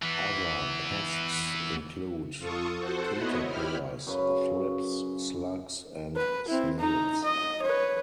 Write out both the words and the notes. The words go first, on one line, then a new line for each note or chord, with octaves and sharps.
Other pests include caterpillars, thrips, slugs and snails.
E3 B3
F2 F4 A4 C#6 D#6
F#4 A4 C5 F#5
B3 E4 F#4 C#5 D#5
E4 G4 B5 F6
F#2 C#3 B4 F5
B4
C4 E4
D#4 A#5
D#5
B4 C#5